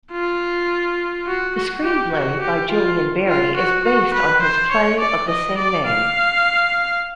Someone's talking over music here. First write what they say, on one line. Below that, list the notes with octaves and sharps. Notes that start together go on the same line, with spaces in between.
The screenplay by Julian Barry is based on his play of the same name.
F4
F#4
F#4
G4
F#4
G4
F4
F4
F#4
F#4
B4
C5
C#5
D5
D#5
D5
F5